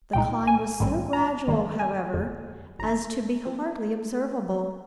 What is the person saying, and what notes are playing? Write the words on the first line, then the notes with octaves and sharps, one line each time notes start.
The climb was so gradual, however, as to be hardly observable.
C2 A#2 G#3 D#4 G5
G#5
A#1 G#2 D#3 G3 C4
A#5
G1 F2 D#3 G3 A#3
G#5
G1 F2 D3 G#3
G1 F2 D3 A#5
F3 C4